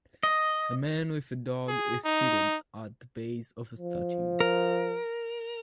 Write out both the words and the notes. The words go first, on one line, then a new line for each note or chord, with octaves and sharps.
A man with a dog is seated at the base of a statue.
D#5
G#4
D#4
F3
A#4